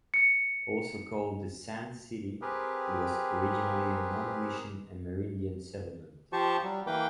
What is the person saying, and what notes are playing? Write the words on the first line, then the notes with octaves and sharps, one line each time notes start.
Also called "The Sand City", it was originally a non-Mission Amerindian settlement.
C#7
C4 G4 G#4 A#4 B4
F3 G4 C5 A5 C#6
F#3 G3
E3 A#3 B4 G5 D6